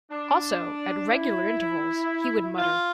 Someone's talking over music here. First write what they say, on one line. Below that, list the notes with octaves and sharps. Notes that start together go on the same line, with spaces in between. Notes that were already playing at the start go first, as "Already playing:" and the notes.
Also, at regular intervals, he would mutter.
D4
E4
F4